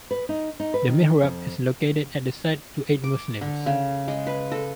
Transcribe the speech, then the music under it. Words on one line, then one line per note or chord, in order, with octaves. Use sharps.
A mihrab is located at the site to aid Muslims.
B4
D#4
D#4
B4
D#3
F2
D6
D3
C#3
G#3
B4
A4